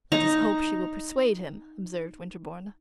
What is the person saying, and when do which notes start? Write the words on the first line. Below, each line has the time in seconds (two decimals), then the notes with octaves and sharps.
"Let us hope she will persuade him," observed Winterbourne.
0.12 D#4 A#5